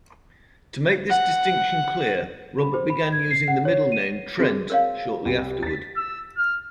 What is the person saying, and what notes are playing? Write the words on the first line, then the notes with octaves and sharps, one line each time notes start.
To make this distinction clear, Robert began using the middle name "Trent" shortly afterward.
F#5
B5
C5
B5
G#6
C7
F#5
C#5
D#7
C4 F#4 G#4
A#4 C#5 F5
C2
A6 B6
E6
F6